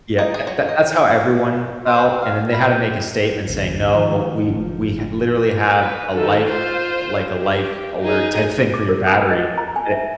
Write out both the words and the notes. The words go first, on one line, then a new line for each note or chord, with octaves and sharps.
Yeah. That that that's how everyone felt, and then they had to make a statement saying, "No, we we ha literally have a life, like, a life alert type thing for your battery." That
D#4
G#4
F#3
D#5
C5
C4
F5
B5
A1 D#2 C#3
D#3 F3
F#1 A2 F3 D4
B4
D#3 A4
F4 C5
G4
D#4 G#4
D6
A#4
D#6
D#5
A#5
G#5
E5